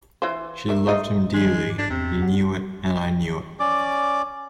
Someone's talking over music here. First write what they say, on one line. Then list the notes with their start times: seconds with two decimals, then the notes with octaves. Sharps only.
She loved him dearly; he knew it, and I knew it.
0.22 E3 F4 C5
0.69 A#4 E5
0.87 A3 F4 D#5
1.34 D#3 F3 G#3
1.66 G#2 D6
1.78 D4
1.90 E2 C3 C4
2.19 C#4 G4 F#5
3.60 C#4 D5 D6